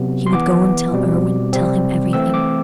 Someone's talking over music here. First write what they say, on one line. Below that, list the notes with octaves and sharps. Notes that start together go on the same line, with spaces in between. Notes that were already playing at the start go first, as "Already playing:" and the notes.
He would go and tell Irwine--tell him everything.
Already playing: C3 F#3 B3
C6
E3 B3 D6
B2 G3 C4
C3 G3 C4
E3 A3 C4 E6
D6